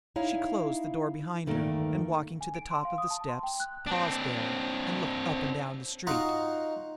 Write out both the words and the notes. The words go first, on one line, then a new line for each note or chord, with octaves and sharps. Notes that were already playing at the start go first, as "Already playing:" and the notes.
She closed the door behind her and, walking to the top of the steps, paused there and looked up and down the street.
D#4 E4 C#5 E5 F5
E2 G2 D#3 A3 A#3
G#5
D7
C6
F5
D#6
A5
C6
G5
F#6
C4 D4
D#4 F4 F#4 D#5 F#5 A#5